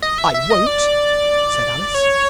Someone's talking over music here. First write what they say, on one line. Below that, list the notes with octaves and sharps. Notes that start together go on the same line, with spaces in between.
'I won't!' said Alice.
D#5
E5
E5
D#5
D5
C#5